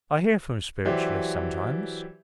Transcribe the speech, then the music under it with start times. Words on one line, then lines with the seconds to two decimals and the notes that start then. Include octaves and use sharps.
I hear from spiritualists sometimes.
0.85 E3 F#3 G4 C5 D5 E5